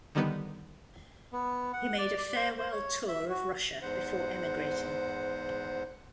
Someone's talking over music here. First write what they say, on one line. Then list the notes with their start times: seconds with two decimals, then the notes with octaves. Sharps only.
He made a farewell tour of Russia before emigrating.
0.15 D3 D#3 G3 B3
1.33 B3
1.73 F#5
1.98 D5
2.18 D5
2.36 C5
2.58 C5
2.72 C#5
3.08 E5
3.30 F#4
3.82 E2 G#2 C5 F#5